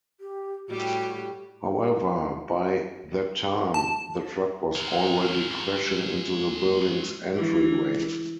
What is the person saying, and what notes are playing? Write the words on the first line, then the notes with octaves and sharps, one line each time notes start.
However, by that time the truck was already crashing into the building's entryway.
G4
A2 G3 F#4 G4
A5
G#3 A#4
E3